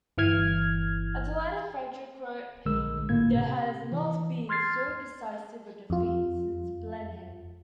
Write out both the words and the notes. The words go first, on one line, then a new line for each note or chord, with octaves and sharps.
A delighted Fredrick wrote "there has not been so decisive a defeat since Blenheim".
G1 E3 F6 G#6
A#1 D3 G#3 A#4 E6
G1 A2 D3 A#3 G#6
C3
E3
C6 F6 G#6 A6 C7
F2 F4